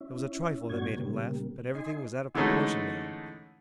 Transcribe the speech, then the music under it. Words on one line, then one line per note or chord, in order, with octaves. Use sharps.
It was a trifle that made him laugh, but everything was out of proportion now.
C#4 E4
G2 B2 D4 F#4 C#5 G#6
A#2 C#3 G3 A#3
D#4 D#5 G#5 C6
D3 E3 G#3 A3 C#4 D#4